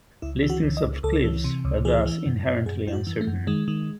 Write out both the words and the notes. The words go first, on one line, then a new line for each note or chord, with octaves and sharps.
Listings of cliffs are thus inherently uncertain.
C#2 E4
E3
F#4
C#2
D#5
C#2
C#2 A4
E3
C3
C#2
E3 G#4
E3
F#2
F#2
F#2 G#4
F#2 E4
F#4
E3
A3
F#2
D#3 G#3
D#3